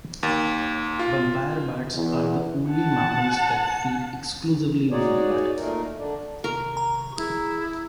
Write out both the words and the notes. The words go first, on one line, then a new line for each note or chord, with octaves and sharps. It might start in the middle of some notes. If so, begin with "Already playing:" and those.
Vampire bats are the only mammals that feed exclusively on blood.
D#2
F4
E2
F#5 A5
D#4 F#4 G#4 C#5 D5
A#2 A3 D#4 A#4
D3 D4
C3 D#3 A#4 C#6
A#5
E4 G#4